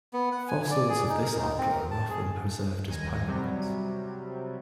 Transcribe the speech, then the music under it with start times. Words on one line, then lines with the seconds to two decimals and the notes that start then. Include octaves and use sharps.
Fossils of this order are often preserved as pyrite.
0.13 B3
0.32 F#5
0.48 G#5
0.71 D5
0.89 G#4
1.09 D#4
1.22 A#4
1.38 D#4
1.58 C4
1.71 A#4
1.91 A5
2.09 G#4
2.89 D#2 G#5 A#6
3.27 C3 F#3 G3